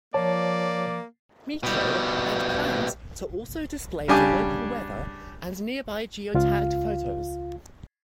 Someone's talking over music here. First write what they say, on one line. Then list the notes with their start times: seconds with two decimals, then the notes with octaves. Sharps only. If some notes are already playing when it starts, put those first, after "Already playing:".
Meetro had planned to also display the local weather and nearby geotagged photos.
0.14 F3 A#3 C#5 D5 A5
1.63 B2 G3
4.08 C#3 G3 D4 G4 G#5 D6
6.34 C#2 F4 F5